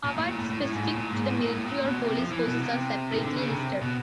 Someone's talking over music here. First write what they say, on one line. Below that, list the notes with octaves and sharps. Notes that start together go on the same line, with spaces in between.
Awards specific to the military or police forces are separately listed.
A#2
A2
A#2
A2
A2
A2
G#2
A2
A#2
G#2
A2
A#2
A2
A#2
B2
C3
F3
E3
B2
C3
D#3
D3
C#3
C3
B2